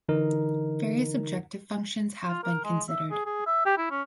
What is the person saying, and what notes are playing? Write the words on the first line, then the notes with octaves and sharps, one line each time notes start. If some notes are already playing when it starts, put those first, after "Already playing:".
Various objective functions have been considered.
D3 E3 D#4 A#4
F4
A#4
G#3
E5
G#4
G#4
E5
G4
E4
C#4